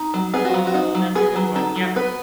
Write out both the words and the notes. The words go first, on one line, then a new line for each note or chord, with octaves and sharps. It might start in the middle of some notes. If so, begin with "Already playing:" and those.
Oh, that's a good one. Yep.
Already playing: D#4
F#3
B3 G#4
F#4
F#3
F#4
D#4
F#3
B3 G#4
F#3
D#4 A4
F#3
B3 B4